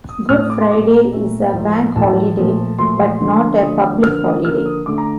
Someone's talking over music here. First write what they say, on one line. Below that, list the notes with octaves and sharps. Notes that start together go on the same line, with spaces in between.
Good Friday is a Bank Holiday, but not a Public Holiday.
D#6
A2 A3 F6
D#6
D6
C6
A#2 A3 D6
A#5
A#2 A3
A2 F3 A3
A2 F3 A3 A5
A#2 F3 A3
A#2 F3 A3 C6
D3 F3 A3
D3 F3 A3 D#6
D3 F3 A#3 F6
D#6
D3 F3 A#3 F6
D#6
D3 A3 D6
A#5